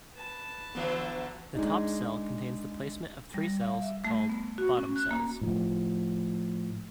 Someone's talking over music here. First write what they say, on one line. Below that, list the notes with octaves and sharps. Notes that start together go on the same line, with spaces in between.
The top cell contains the placement of three cells called "bottom cells".
B4 A5
D3 E3 F#3 B3
G#3 D4 D#4
G3
F5
E5
A3
B3
F#4
C#4
F#6
A#3
A2 F3